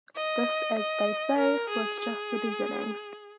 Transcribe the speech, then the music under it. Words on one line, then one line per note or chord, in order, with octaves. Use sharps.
This as they say, was just the beginning.
D#5
D#5
A#4
G#4
G#4